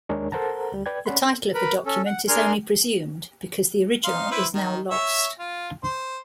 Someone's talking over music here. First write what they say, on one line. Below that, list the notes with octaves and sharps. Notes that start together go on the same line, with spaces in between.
The title of the document is only presumed because the original is now lost.
D#2 G#3 D4 G#4 A#4 C#5
A4 A#4 C5 F#5 A5 A#5
D2 G3
B4 D5 G5 G#6
C#4 D5 F#5 B5 C6
A#4 B4 B5
C#4 A4
F#5
D4 G#4 A#4 G#5 C6 F6
D#4 F5 C6
E4 B4 C5
D#3
C#5 E5
F4
C5